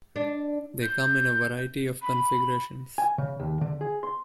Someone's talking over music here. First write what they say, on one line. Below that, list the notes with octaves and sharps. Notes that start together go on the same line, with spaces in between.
They come in a variety of configurations.
D4
G6
B5
G#5
C#3
D#2
D3
G#4
C6